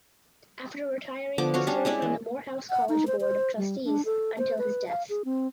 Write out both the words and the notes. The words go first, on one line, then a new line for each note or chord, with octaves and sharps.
After retiring he served on the Morehouse College Board of Trustees until his death.
D3 F3 B3 D6
F#4 C#5 F5
G3 C#4 D4
G#3 C#4 E4 D5
E3
F#5
D#4
C5
C5
G3
D4
A4
C5
B4
F5
G#4
C4